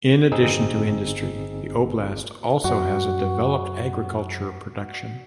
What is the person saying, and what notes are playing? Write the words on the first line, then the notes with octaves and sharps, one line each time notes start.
In addition to industry, the oblast also has a developed agriculture production.
G1 C4 D#4 G#4 E6
F#2 F#4